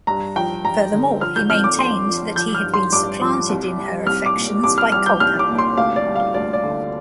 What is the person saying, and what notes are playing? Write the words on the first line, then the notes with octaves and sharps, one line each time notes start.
Furthermore, he maintained that he had been supplanted in her affections by Culpeper.
G2 A#5
F3 G5
G2 A#5
D3
F3 F6
G6
F2 F6
D6
F2 C6
F3
F3 G6
F6
G2
C6
G2 D6
F3
C2
G3
C2 F6
D6
A#2
C2 D6
F6
G3 F6
G6
C2 F6
D6
A#2
C6
D2 F5
D5
G3
F5
D2 D5
D5
D3